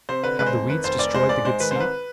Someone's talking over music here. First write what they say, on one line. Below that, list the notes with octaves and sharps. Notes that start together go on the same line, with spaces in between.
"Have the weeds destroyed the good seed?"
C3 C5
D3 B4
G#3 B4
C5
F2
D#3 B4
F1 C5
F1 D5
G#3 C5
G#2 D5
G#3 C5
D#3 B4
C2 C5
B4